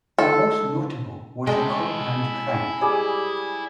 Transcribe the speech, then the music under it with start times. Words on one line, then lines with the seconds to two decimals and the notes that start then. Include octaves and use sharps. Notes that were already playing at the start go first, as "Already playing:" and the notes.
The most notable was the compound crank.
0.18 A4
1.47 G#3 E4 G#4 G5 A5
2.81 G3 G#4 D5